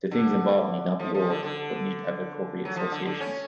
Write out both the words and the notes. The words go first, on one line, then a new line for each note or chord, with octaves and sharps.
The things involved need not be old, but need to have the appropriate associations.
D3
F3
F3
D3
D3
F#3
F3
D3
D3
C#4